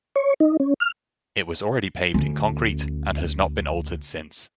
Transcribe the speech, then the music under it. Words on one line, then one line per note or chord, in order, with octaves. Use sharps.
It was already paved in concrete, and has not been altered since.
C#5
D#4
C#4
F6
D2 C#4